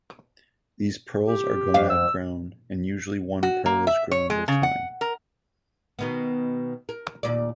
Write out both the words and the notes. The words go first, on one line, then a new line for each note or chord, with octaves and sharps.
These pearls are gonad grown, and usually one pearl is grown at a time.
G4
F2 F5
E6
F#4
A#3
E5
C#5
G#3
C#3
F#5
A#4
B2 D#3 B3
A#4
D#2 A#2 D5